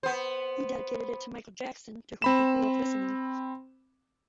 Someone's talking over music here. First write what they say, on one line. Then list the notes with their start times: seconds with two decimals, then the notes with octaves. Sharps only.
He dedicated it to Michael Jackson, to whom he grew up listening.
0.03 B3 C5
2.22 C4 B5 E7